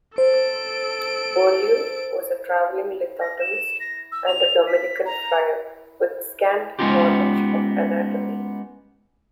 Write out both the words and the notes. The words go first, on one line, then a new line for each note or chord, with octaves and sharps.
Beaulieu was a travelling lithotomist and a Dominican Friar, with scant knowledge of anatomy.
A4 C5 D7
A#6
E7
A#6
E6
F7
B6
A#5
G#3 B3 C#4 D#4 F4 G4